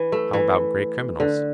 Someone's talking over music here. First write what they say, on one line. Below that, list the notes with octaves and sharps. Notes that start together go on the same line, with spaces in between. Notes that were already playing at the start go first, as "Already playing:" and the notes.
"How about great criminals?"
Already playing: E3
A3
E3
D3